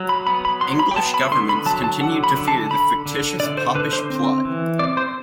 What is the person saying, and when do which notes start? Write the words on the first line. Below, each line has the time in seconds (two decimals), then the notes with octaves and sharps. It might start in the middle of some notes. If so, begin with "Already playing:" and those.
English governments continued to fear the fictitious Popish Plot.
Already playing: F#3
0.09 B5
0.27 B3 B5
0.45 B5
0.61 F#3 C6
0.79 B5
0.91 G5
0.96 B3 A5
1.14 B5
1.31 D3 C6
1.49 B5
1.66 F#3 A5
1.84 A5
2.00 D3 F#5
2.24 B5
2.36 D3
2.48 A5
2.71 D3 B5
3.06 D3
3.40 D3 D5
3.58 C5
3.75 D3 B4
3.93 C5
4.10 C4
4.45 E3
4.79 C4 D5
4.97 C5